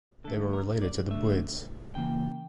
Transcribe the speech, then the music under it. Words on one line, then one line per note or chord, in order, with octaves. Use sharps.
They were related to the Buyids.
D3 A3 A4
A#4
D5
D3 A3 E5
C#3 E3 A#3 G5